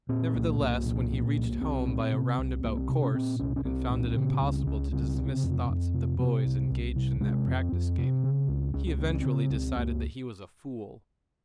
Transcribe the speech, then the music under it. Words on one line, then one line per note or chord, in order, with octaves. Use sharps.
Nevertheless, when he reached home by a roundabout course, and found it impossible to dismiss thoughts of the boys engaged in that practice game, he eventually decided that he was a fool.
A#2 C4
C2 A#3
C2 A#3
A#2
A#2
C2
C2 C4
A#2
C3
C2
C2 A#3
C4
C3
C#4
A#2 C4
C2 C#4
C#4
C2 C4
A#2
C#3
C#2
C#2 C#4
C#3 C4
C3
F2
F2
C3
C3 C4
C2
C2
C3
C3 G#3
F2 C4
F2
C3
C#3
C#2
C#2 C#4
C4
C#3 A#3
C4
C#3
C#2
C#2 A#3